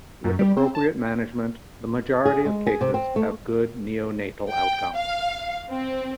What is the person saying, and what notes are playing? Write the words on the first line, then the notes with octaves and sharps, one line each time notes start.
With appropriate management, the majority of cases have good neonatal outcomes.
F#2
G3
C4
A5
G#4
G#3
G#4
C3
C4
A3
G5
F5
C4